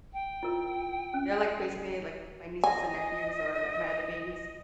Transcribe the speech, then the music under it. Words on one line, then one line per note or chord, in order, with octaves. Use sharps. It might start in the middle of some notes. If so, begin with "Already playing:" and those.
they're, like, basically, like, my nieces and nephews or, like, my other babies.
G5
E4 F4 A#4
C#4
D#5 G#5